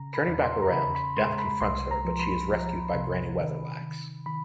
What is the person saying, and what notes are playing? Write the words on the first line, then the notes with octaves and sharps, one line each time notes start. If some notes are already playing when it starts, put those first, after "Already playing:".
Turning back around, Death confronts her but she is rescued by Granny Weatherwax.
Already playing: C#3 A#5
B5
E2
C6
A#5
C#3 B5
B5
G#3 C6
B5
C2 C6
A#5
F3
B5
F3
C3
D#3
D#3
D#3 B5